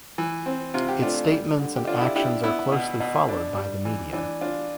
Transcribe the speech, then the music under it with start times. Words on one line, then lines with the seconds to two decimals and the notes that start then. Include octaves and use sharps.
Its statements and actions are closely followed by the media.
0.18 E3
0.46 C4
0.74 C3 F4
0.88 G4
1.02 A3 D4 F4
1.31 G3
1.59 D3
1.76 G4
1.87 D3 D4 F4
2.01 E4 G4
2.15 D4 E4 G4
2.44 B3 E4
2.72 B2
3.00 B2
3.29 D4
3.56 G3
3.85 E3
4.13 E3 D4
4.41 D4 F4